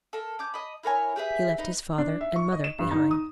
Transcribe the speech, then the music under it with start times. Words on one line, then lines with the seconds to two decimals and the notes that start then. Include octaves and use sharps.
He left his father and mother behind.
0.13 A4 A#4
0.39 C#4 D6 G6
0.54 D#5 B5
0.83 E4 A#4 C#5 G#5
1.16 G4 G#4 B4 E5
1.58 D#4 B4
1.98 D4
2.21 E5
2.36 C#6
2.52 D#5
2.64 E7
2.79 G2
2.91 D#4
3.11 D#6